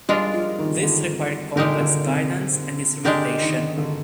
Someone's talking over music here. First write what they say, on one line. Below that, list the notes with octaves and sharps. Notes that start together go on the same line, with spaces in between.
This required complex guidance and instrumentation.
G3 G#3 D4 F4 A#4
F3
D#3
D3
A#2 D3 G#3 D#4 G4 A#4
D3
C3
D3 G#3 D4 G4 A#4
D#3
D3